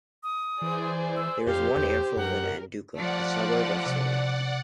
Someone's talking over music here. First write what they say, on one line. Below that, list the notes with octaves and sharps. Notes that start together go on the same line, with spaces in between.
There is one airfield at Anduki, a suburb of Seria.
D#6
E3 G#4 C5 D5
E6
F2 G4 C5 F5
E2 G6
F#2 A#4 F#5
F3 G3 A3 D5 F#5
C3